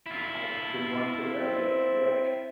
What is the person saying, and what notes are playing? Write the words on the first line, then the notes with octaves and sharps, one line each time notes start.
y I didn't want to say that, but yes, you're right.
E4 F4
C4